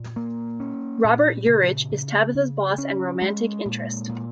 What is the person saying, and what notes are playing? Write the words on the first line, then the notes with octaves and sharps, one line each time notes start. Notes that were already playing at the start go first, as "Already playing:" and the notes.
Robert Urich is Tabitha's boss and romantic interest.
Already playing: A#2
A#3
C#4
A#2
C#3
C#3
C#3
C#4
G#3
A#2
A#2